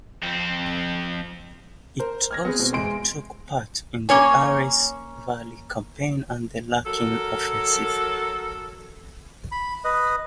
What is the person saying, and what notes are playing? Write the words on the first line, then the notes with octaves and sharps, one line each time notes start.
It also took part in the Aras Valley campaign and the Lachin offensive.
F2 C4
A#4 C5
F6 G#6 A#6
B3 C4 G#4 B4
B2 C4
E2 G#3 C6 D7
A#3 C#4 C#5 G#5
F#3 A4 A#4
B5
B4 D#5